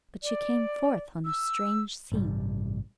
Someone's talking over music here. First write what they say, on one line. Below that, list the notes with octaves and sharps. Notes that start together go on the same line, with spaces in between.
But she came forth on a strange scene.
D5
E6
A1 G2 C3 G3